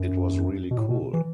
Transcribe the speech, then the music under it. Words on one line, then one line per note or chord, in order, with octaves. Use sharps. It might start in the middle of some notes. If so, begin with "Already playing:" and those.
It was really cool.
Already playing: F#2
B2
A2
B2
E3